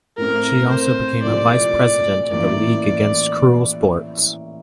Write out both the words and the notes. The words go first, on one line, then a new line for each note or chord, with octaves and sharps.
She also became a vice-president of the League Against Cruel Sports.
A2 A3 C4 A#4
C5
C2 A#2 F3 A3 D5
A1 A2 F3 A#3 D5